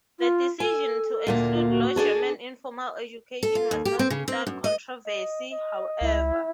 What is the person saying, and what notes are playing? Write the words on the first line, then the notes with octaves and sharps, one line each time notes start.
The decision to exclude Low German in formal education was not without controversy, however.
F4
A4 G#5
D2 A#2 A#3
F4
F#4
D4 G#4 A4
A4
F4
D#2
G4
C4
C#3
C4
F#2
D#5
D#5
D#5
C#2 E4